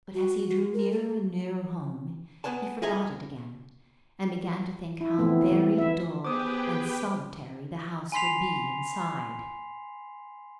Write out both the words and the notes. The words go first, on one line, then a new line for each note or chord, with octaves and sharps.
But as he drew nearer and nearer home he forgot it again, and began to think how very dull and solitary the house would be inside.
F#4
F#4
A#4
A4
B3 B4 G#5 A5
G#4 A4 D#5 E5 G#5 A#5
E4
E3 A3 B3 C4
E3
E4 E5
B3 G4 G#4 B4 C5 G5 D6 D#6
G#5 B5 C6 B6 C7 F7